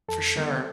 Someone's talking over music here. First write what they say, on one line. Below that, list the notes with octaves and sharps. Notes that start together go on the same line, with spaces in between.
For sure.
F2 A4
D3 G3 B3